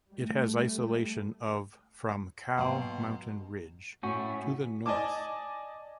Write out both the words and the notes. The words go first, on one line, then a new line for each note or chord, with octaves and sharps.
It has isolation of from Cow Mountain Ridge to the north.
G3 A3
G#2 B2 F#3 A#3 F5 G5 A#5 C6
A2 C#4 F#4
D5 D#5 G#5 A5 D6